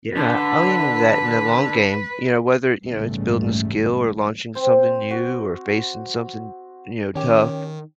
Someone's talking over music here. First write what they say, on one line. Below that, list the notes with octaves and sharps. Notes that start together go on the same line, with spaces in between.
Yeah, I lean into that in the long game, you know, whether, you know, it's building a skill, or launching something new, or facing something, you know, tough,
D3 B4 A5
A#1 E2 G#2 C#3 G3 A3
C4 C5
F#4
D#3 C#4 G4